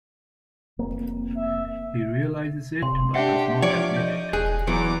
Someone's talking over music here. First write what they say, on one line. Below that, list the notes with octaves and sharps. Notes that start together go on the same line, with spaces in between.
He realizes it but doesn't admit it.
F1 A#3 C4
E5
C3 C6
D4 G4 E5 F#5 C#7
F3 F4 C#5 D5 D6
D#5 G6
E1 G#4 F#6
E2 E3 F#3 A#5 D6